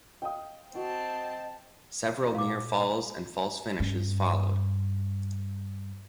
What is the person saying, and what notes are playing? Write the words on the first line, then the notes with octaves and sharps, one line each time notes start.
Several near falls and false finishes followed.
D#5 F5 G5 D#6
C4 F#4 D#5 A5
A#2 F5 D6
G2 C#4